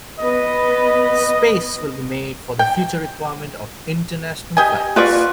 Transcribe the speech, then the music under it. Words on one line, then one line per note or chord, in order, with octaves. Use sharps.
Space will be made for the future requirements of international flights.
B3 B4 D#5
G5
G4 D#5 G#5
F4 F#4 B4 D5 C#6